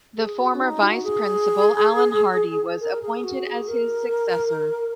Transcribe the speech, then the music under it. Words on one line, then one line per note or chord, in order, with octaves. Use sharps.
The former Vice-Principal, Allan Hardy, was appointed as his successor.
G#4
F#4
C#4
D#4
F#4
G#4
A#4
G#4
F#4
G#4
A#4